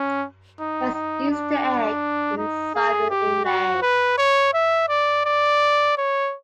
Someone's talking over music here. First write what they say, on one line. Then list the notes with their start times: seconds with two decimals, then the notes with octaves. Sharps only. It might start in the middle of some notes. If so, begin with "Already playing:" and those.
There is an easter egg inside the inlay.
Already playing: C#4
0.59 D#4
0.94 D#4
1.31 D4
2.38 D#4
2.75 G#4
3.10 G4
3.45 F#4
3.82 B4
4.18 C#5
4.54 E5
4.89 D5
5.25 D5
5.98 C#5